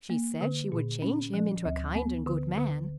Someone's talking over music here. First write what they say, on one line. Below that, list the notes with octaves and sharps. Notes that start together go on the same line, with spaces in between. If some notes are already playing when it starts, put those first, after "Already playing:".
"She said she would change him into a kind and good man."
A#3
D3
A#2
C#4
F3
D2
B3
D3
D3